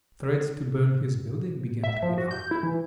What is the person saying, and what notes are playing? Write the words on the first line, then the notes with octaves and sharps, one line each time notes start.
Threats to burn his building began to be uttered.
E5
F3
F#4
G6
E4
E3